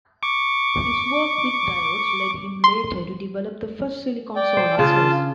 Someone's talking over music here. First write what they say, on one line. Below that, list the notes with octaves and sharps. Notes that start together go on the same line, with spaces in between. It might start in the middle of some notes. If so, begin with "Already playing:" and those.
His work with diodes led him later to develop the first silicon solar cells.
C#6 D6
C6
D5 G5
C5
C#3 D4 F4 A5